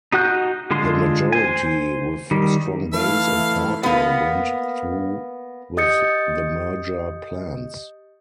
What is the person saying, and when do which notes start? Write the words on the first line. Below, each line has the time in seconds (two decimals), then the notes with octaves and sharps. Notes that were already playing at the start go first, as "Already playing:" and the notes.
The majority, with strong base in Porto, went through with the merger plans.
0.12 D#4 F#4 F#5 F#6 G6
0.71 D3 G#3 F4 C6
1.32 C5 G#5
2.31 D#3 G3
2.93 E3 A3 F5
3.83 A#3 B3
5.77 G4 D#5 D#6 G6 A6 C#7